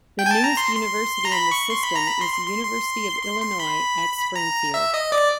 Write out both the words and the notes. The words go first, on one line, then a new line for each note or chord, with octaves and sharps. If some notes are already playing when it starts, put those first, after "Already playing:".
The newest university in the system is University of Illinois at Springfield.
G5
G#5
A5
A#5
C6
C6
A#5
B5
C#6
C6
B5
A#5
B5
C6
C6
C6
C6
C6
C6
B5
A#5
E5
D#5
D5